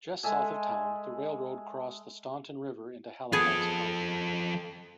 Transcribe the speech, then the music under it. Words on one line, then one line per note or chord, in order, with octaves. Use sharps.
Just south of town, the railroad crossed the Staunton River into Halifax County.
G#3 A4 E5 G#5
F3 B3 G#4 A4